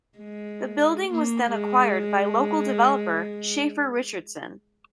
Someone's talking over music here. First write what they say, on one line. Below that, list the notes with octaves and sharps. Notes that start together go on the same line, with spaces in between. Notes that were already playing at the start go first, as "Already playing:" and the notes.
The building was then acquired by local developer Shafer Richardson.
G#3
A#3
G#3